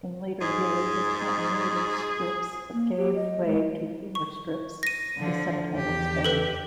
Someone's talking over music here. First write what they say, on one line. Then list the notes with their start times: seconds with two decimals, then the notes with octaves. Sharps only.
In later years, as continuity strips gave way to humor strips, the subtitles vanished.
0.41 G#2 G#4
2.73 A#3
2.97 G4
3.16 D#5
3.45 G#3
4.15 C#6
4.83 A#6 D#7
5.17 D3 F3
5.73 E2 G4
6.24 A4 B4